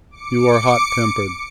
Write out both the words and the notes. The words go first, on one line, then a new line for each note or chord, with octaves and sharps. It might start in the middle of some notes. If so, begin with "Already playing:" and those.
"You are hot-tempered."
D6 C#7